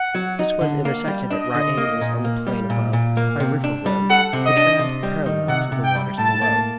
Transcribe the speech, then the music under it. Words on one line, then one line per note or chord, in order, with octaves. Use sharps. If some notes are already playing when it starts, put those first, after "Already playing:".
This was intersected at right angles on the plain above by River Road, which ran parallel to the waters below.
Already playing: F#5
F#3
D#4
D3
A#3
G3
D4 D#5
D3
A#3
A#2
A#3
G3
A#2
A#2
A#3
C3
D4
G3
A4 F#5
C3
D#5
D4
C3
G3
D#3
C3 F#5
C3
G5
G3
A2 A5
A#3